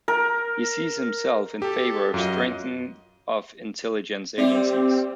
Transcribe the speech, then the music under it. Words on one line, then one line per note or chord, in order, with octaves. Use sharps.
He sees himself in favour of strengthening of intelligence agencies.
A#4
G4 A4
F#2 F4 D#5
G3 C4 G4 D5 E5